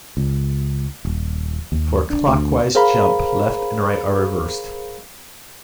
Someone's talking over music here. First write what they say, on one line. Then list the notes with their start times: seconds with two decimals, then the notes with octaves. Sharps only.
For a clockwise jump, left and right are reversed.
0.17 C#2
1.05 D#1
1.72 D#2
2.10 D4
2.27 D2
2.75 G#4 A#4 C5 F5 A#5 B5